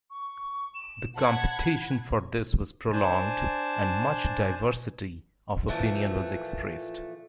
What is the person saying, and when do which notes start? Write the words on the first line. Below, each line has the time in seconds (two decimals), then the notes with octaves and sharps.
The competition for this was prolonged, and much diversity of opinion was expressed.
0.10 C#6
0.74 E7
1.15 F#5 A5 B5 G#6
2.93 D4 C5 G#5 A5
5.68 A#2 E3 F3 A3